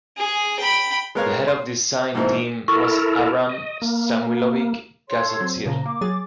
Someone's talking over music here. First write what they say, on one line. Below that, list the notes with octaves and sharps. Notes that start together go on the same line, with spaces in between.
The head of the design team was Abram Samuilovich Kassatsier.
G#4
G5 B5
G#3 B3 A#4 C#5 F5
C6
G#2 B2 E3 F3 A#3 C4
E4 A4 A#4 C#6
D#5
A#3
A4 C#5 C6
F#3 C4
A#2 C#3 F3 A#5
A#3 D6
F#3 G#4 A6